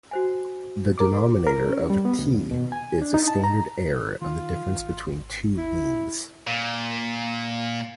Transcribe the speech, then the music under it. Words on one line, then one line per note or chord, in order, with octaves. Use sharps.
The denominator of "t" is the standard error of the difference between two means.
F#4 C5 G#5
A#4 D6
A#4
C#4
G3
B3
D2
D#2
B2
G#5
D4
D#4
A5
A#5
D#3 F4
G#1
E4
A#2